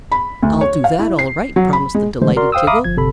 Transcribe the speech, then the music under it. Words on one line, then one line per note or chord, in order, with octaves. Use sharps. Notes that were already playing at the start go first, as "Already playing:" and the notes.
"I'll do that, all right," promised the delighted Tiggle.
B5
D2
C#5
F5
E4
C7
F#3
B5
G#3
D3 E3 G#3 A3 C5
F#4 A#4 D5 C6
C5 F5 G5 D#6 E6
E5 F5 A#5 B5 D6 D#6
G1 F3 G#6
G1 C3 A4 B5